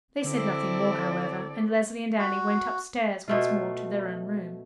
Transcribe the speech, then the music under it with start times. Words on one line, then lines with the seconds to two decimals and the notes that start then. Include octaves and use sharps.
They said nothing more, however; and Leslie and Annie went upstairs once more to their own room.
0.24 D3 C4 E4 A4 D5
2.19 F#4
3.28 B2 A3 F4